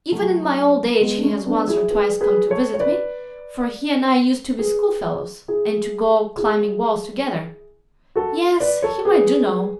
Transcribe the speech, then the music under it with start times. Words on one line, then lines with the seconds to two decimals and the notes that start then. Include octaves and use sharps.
Even in my old age he has once or twice come to visit me, for he and I used to be schoolfellows, and to go climbing walls together. Yes, him I do know.
0.12 F#3 A3
1.01 G#3 B3
1.17 D4
1.23 A3 C#4
1.46 B3 D4
1.68 E4 G#4
1.90 G#4 B4
2.21 G#4 B4
2.50 A4 C#5
2.74 C#5
2.80 B4 D5
4.59 G#4 B4
5.48 E4 G#4
6.37 E4 G#4
8.16 F#4 A4
8.60 B4 D5
8.82 A4 C#5
9.05 G#4 B4